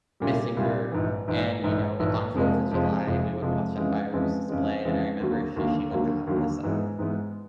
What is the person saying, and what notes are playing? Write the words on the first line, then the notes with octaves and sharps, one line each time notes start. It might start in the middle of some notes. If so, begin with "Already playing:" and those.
missing her. And, you know, on fourth of July, we would watch that fireworks display, and I remember she she would have this, um,
C2 A#2 G3
C2 A#2 G3
A#1 G#2 E3
A#1 G#2 E3
A#1 G#2 E3
A#1 G#2 E3
F1 F2 C3 F3 G#3
F1 F2 C3 F3 G#3
F1 F2 C3 F3 G#3
F1 F2 C3 F3 G#3
F2 C#3 E3 G#3
F2 C#3 E3 G#3
F2 C#3 E3 G#3
F2 C#3 E3 G#3
D#2 D3 F#3 A#3
D#2 D3 F#3 A#3
D#2 D3 F#3 A#3
D#2 D3 F#3 A#3
G#2 E3 G#3 B3
G#2 E3 G#3 B3